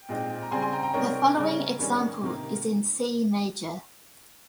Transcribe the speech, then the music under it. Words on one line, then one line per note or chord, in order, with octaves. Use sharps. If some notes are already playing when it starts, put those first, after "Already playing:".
The following example is in C major.
Already playing: G5
A#2 G#3 C4 D#4
A#5
C#3 G3 C4 G#5 C6
G#5 C6
G5 A#5
G5 A#5
C3 G3 C4 D#4 A#4 C#5
C#3 G3 C#4
D#3 G3 A#3 C#4
C3 D#3 A#3